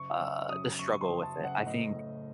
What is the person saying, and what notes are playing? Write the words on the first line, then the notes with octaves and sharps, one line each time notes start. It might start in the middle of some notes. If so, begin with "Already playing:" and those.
uh the struggle with it. I think
Already playing: F#1 C#6
F#1 E6
F#2 D#6
F#2 C#6
C6
F#1
A5
F#1
F#5
A2 D#5
A2